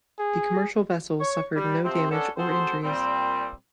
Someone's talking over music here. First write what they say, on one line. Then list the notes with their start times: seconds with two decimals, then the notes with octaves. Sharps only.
The commercial vessel suffered no damage or injuries.
0.19 G#4
1.20 C#5 C#6
1.56 G3
1.84 C3 F3 C4
2.11 B3 C#4 D4 A4
2.37 C4 F#4 G#4 A4 C5
2.83 A#2 G3 C4